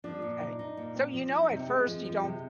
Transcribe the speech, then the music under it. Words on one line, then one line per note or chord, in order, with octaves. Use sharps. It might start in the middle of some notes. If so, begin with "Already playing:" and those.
M'kay. So, you know, at first, you don't
F3 D4
A#2
D#4
D#4
A#2
C4
F3
D#4
C3 C4
G#3 C4
F3
F3
C3